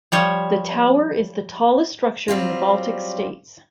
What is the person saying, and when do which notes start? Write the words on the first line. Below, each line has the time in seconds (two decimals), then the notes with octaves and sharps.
The tower is the tallest structure in the Baltic states.
0.12 F3 G3 C#5
2.28 F#3 G3 C4 F4